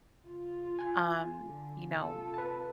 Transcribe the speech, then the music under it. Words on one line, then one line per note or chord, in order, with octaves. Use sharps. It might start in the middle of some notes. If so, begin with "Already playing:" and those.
um, you know,
C#3 F4
G#5
D3
C3 F4 A4
B4 A5